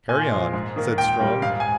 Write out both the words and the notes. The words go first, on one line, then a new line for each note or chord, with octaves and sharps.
"Carry on," said Strong.
A#2 G#5
F3 G#3
G#2
D#3 A#3
A#2 G5
G3 A#3
G#2 F5
G#5